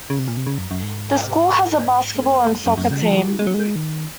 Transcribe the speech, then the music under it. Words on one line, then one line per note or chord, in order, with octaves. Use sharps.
The school has a basketball and soccer team.
C#3
C3
A#2
C3
C#3
F#2
F#2
G#2
F2
F#2
F#2
F#2
C#3
F3
G#3
F#3
G#3
D#3